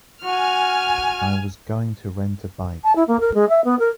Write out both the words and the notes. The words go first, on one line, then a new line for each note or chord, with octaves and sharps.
I was going to rent a bike.
F#4 G#5 F6
A5
E4
A#3
A#4
G#3
E5
B3
A#4